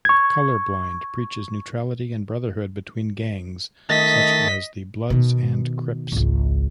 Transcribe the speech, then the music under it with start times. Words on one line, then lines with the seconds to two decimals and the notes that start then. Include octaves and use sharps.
"Color Blind" preaches neutrality and brotherhood between gangs, such as the Bloods and Crips.
0.05 C#6 G#6
3.90 D#3 A3 D#5 A6 B6
5.10 B2 D#3
6.12 G#1 C#2